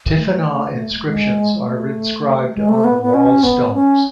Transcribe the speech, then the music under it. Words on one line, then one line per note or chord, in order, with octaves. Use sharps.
Tifinagh inscriptions are inscribed on the wall stones.
A3
G#3
A3
G#3
A3
B3
B3
C#4
B3
C#4